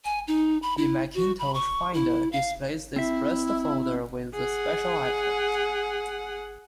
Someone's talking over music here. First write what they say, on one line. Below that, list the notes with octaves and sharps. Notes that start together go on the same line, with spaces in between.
The Macintosh Finder displays this "blessed" folder with a special icon.
G#5
D#4
B5
E4
F#4
B5
C#6
E4
F5
C4 E4 E5
G#4 F#5